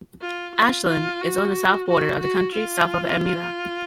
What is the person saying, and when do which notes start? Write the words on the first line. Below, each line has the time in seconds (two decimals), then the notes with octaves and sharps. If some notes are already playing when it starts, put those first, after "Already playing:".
Ashland is on the south border of the county, south of Elmira.
0.22 F4
0.55 F4
0.88 F4
1.21 F#4
1.88 F#4
2.20 F#4
2.54 F4